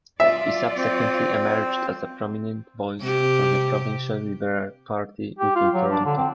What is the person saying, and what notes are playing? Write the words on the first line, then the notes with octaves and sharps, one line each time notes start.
He subsequently emerged as a prominent voice for the provincial Liberal Party within Toronto.
F#3 F4 D5 E5
C4
C3 G4
G4
F4
F#3
D4
D3
C4